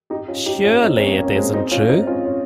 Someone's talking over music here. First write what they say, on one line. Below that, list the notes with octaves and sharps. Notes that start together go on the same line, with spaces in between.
Surely it isn't true?
D#4 G4
C#4 F4
D#4 G4
C#4 F4
C4 D#4
A#3 C#4
A#3 C#4
G#3 C4
C4 D#4
C#4 F4
C4 D#4
C#4 F4
C#4 F4